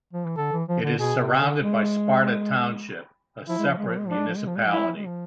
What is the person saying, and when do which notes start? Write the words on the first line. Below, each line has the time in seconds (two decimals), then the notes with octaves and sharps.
It is surrounded by Sparta Township, a separate municipality.
0.13 F3
0.25 E3
0.37 D3 A4
0.52 E3
0.68 F3
0.84 D3
0.99 B2 G#4
1.20 C3
1.35 C3
1.41 D3
1.61 G#3
3.48 F3 E4
3.58 G#3
3.68 F3
3.78 G#3
3.88 F3
3.98 G#3
4.07 F3 D4
4.18 G#3
4.27 F3
4.37 G#3
4.47 F3
4.57 G#3
4.67 F3
4.72 G#3 E4
4.87 F3
4.96 G#3
5.06 F3